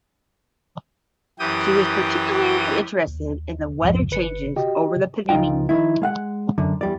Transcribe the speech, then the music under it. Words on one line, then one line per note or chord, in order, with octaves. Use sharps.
She was particularly interested in the weather changes over the Pennines.
F#2 E3 G4 G5 D#6
D#2
C2 F2 G#2 F3 G3
G1 B4 C#7
F#4 G4 D#5 G5
C#2 F3 D#4 F4 G5
D#3 F3 E4
G#3 F5 F#5
F#2 D3
E2 G3 D5